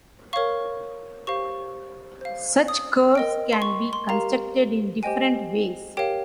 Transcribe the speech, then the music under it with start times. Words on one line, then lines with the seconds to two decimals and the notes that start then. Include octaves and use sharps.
Such curves can be constructed in different ways.
0.33 A#4 C#5 F5 C#6
1.27 G4 C5 F5 C#6
2.21 C5 F5
2.68 D#6
3.15 A#4 D#5 G5
3.53 C6
3.62 C#6
3.93 C6
4.09 G4 A#4 F5 A#5
5.03 G4 C5 D#5 G5 G#5
5.97 G4 A#4 C#5 F5 G5